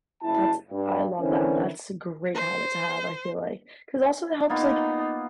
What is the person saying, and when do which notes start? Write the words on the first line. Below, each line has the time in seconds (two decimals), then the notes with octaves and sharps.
That's I love that. That's a great habit to have, I feel like. 'Cause, also, it helps, like
0.23 F#1 E4 A5
0.70 G2
1.20 D3 E3 C4 C#4 E4 A#4
2.35 C5
4.50 A#3 B3 D#4 F4